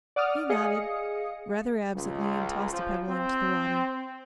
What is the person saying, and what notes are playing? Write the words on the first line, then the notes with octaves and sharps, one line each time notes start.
He nodded, rather absently, and tossed a pebble into the water.
D5 F#5 D6 D#6 F6
G#4 D#5 F5 D#6 C#7
C#2
F3
C4